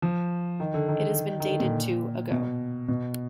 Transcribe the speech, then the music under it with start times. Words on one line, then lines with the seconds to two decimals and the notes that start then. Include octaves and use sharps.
It has been dated to ago.
0.02 F3
0.60 D#3
0.74 D3
0.88 D#3
1.40 D#3
1.45 D3
1.60 A#2
2.31 B2
2.88 B2